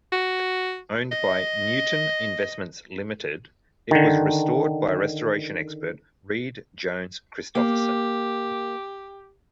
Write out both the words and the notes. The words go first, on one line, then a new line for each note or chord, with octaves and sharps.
Owned by "Newton Investments Limited", it was restored by restoration expert Read Jones Christofferson.
F#4
D#5
D3 D#3
A#3 G4